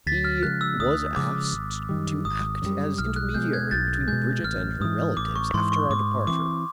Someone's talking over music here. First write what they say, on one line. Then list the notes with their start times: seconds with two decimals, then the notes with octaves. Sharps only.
He was asked to act as intermediary between Brigitte and her relatives after our departure.
0.06 D2 A6 B6
0.24 F6
0.43 C#3 F3 G#3 F#6
0.61 E6
0.80 D2 D#6
1.16 C#3 F3 G#3 D6
1.53 G#1
1.89 F#2 D#3 G3
2.25 G#1 D#6
2.62 F#2 D#3 G3
2.98 B1 F6
3.16 F#6
3.34 B2 G#3 G6
3.53 F#6 G#6
3.71 B1 G6 A6
4.07 B2 G#3 G6
4.44 A1 F6
4.81 G#2 E3 D#6
5.17 A1 D6
5.36 C#6
5.54 G#2 E3 C6
5.72 C#6
5.90 G#2 D6
6.27 E3 A3 C4 D6